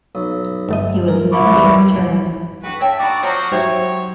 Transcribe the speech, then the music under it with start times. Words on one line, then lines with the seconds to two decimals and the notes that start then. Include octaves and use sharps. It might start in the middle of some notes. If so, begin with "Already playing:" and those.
He was never to return.
0.15 B1
0.69 G1 A3 D#5
1.08 A#4
1.32 E4 C#6 D6
1.54 F2 E3 G3
2.63 D4 F#4 G#4 B4 G5
2.80 C#5 E5 G5 A5
2.99 D4 D#4 F#4 D5 A5 B5
3.22 F3 C4 F#4 C#5 A#5
3.52 F#3 D#4 F#4 G4 C5 C#5 E5